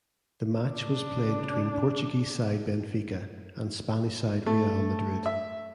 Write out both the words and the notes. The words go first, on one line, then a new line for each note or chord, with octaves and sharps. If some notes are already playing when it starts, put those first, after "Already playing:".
The match was played between Portuguese side Benfica and Spanish side Real Madrid.
C#3 D4
A3
E5